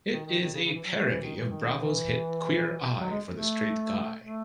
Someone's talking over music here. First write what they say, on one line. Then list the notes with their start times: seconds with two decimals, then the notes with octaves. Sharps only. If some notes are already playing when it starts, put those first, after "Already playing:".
It is a parody of Bravo's hit "Queer Eye for the Straight Guy".
0.12 D#3
0.26 D#3
0.40 D#3
0.53 C#3
0.64 C#3
0.74 E3
0.85 F#3
0.95 A3
1.09 E3
1.22 D#3
1.36 E3
1.50 D#3
1.63 D#3
1.77 E3
3.00 F#3
3.10 G#3
3.31 A3
4.23 A3